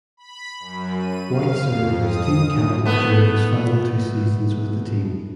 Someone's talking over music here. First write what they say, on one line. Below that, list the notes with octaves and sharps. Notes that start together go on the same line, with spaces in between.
White served as team captain during his final two seasons with the team.
B5
F#2
D#7
F5
F2
D#6
F#2
A3 B3